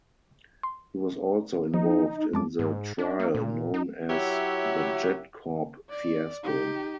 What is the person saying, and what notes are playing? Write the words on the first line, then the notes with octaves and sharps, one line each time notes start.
He was also involved in the trial known as the JetCorp fiasco.
C6
F3 D#4
F#2 G#3 A5 D6
G#2
D4
A#3
A#2
D#4
F#3 E4 G4 C#5 E5 F#5
D5
D#4 G4